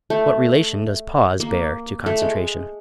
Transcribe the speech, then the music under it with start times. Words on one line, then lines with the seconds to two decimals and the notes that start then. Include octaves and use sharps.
What relation does pause bear to concentration?
0.10 A3
1.40 A#3
2.06 A3
2.22 G#3